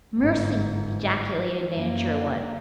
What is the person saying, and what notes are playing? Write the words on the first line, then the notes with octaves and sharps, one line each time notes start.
"Mercy!" ejaculated Nan Sherwood.
G1 G#2
F#2 A#3